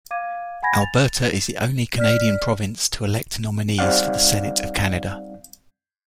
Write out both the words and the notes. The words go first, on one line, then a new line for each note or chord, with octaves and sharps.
Alberta is the only Canadian province to elect nominees for the Senate of Canada.
F5 D6 G#6 D#7
F#5 G#5 B5 G#6 A#6
A6 F7
D5 F6 B6
G3 C4 D#4 D5 F5 F#5